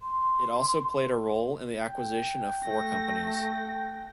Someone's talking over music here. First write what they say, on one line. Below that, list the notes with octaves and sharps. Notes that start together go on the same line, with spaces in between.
It also played a role in the acquisition of four companies.
C6
G5
A3 A#6